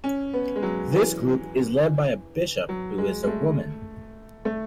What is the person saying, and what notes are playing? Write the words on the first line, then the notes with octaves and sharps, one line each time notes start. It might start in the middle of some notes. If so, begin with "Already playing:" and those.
This group is led by a bishop who is a woman.
C#4
B3
G#3
F#3
E3
F#3
G#3
G#3
A3
A3